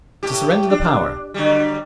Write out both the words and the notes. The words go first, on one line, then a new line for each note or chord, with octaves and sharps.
To surrender the power.
A2 G4
D4
D3 F#3 G3